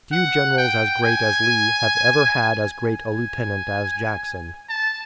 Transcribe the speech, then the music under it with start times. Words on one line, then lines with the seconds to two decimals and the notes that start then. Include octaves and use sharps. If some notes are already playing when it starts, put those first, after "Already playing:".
Few generals as great as Lee have ever had as great a lieutenant as Jackson.
0.12 F#5
0.58 G5
1.03 G#5
2.86 G#5
4.69 A5